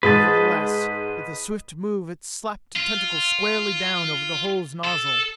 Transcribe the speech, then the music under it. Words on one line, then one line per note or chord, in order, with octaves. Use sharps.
Nevertheless with a swift move it slapped a tentacle squarely down over the hose nozzle.
G#2 B4 D#5 A5
F4
A4